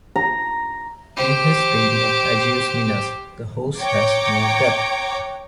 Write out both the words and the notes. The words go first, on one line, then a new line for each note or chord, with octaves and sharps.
In his painting of Agios Minas the horse has more depth.
A#5
G4 C5
C#5 G5 A#5 D6